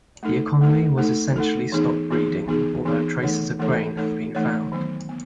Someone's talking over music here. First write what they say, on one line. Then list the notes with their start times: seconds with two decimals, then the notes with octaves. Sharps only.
The economy was essentially stock-breeding, although traces of grain have been found.
0.23 A3 D#4 A4
0.61 A3 D#4 A4
0.98 A3 D#4 A4
1.36 A3 D#4 A4
1.72 E3 B3 D#4 G#4
2.11 E3 B3 D#4 G#4
2.48 E3 B3 D#4 G#4
2.85 E3 B3 D#4 G#4
3.23 E3 A3 D#4 A4 C#5
3.59 E3 A3 D#4 A4 C#5
3.97 E3 A3 D#4 A4 C#5
4.35 E3 A3 D#4 A4 C#5
4.72 D#3 F#3 B3
5.09 B3